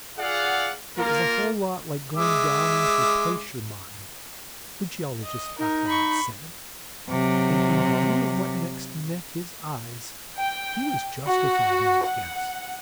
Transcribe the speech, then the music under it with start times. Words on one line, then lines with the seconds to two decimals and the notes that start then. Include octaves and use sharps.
"It was a whole lot like going down into a placer mine," the geologist afterward said; and in view of what next met his eyes, he was justified in his guess.
0.19 F4 G#4 D5 F5 F#5
0.98 A#3 F4 A#4
2.17 G#3 E5 D6
5.24 D#5
5.59 D#4 A#4
5.88 B5 C#6
7.10 C3 F#3
10.37 G5
11.25 F#4
12.05 F#5